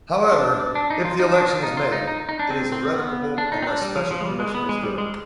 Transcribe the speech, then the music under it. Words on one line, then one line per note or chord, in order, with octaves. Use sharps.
However, if the election is made, it is irrevocable unless special permission is given.
D4
D4
D#4
F4
D#4
D4
F4
D#4
F4
D#4
D#4
D#4
D4
C4
C4
B3
D4
D#4
C4
D4
G3
F3
F3
G#3
G3
G#3
B3
G#3
G3
G#3